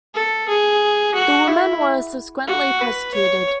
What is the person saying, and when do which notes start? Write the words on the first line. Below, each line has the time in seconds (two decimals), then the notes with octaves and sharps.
The woman was subsequently prosecuted.
0.14 A4
0.48 G#4
1.14 F#4
1.48 E4
2.47 F#4
2.81 B4
3.14 C#5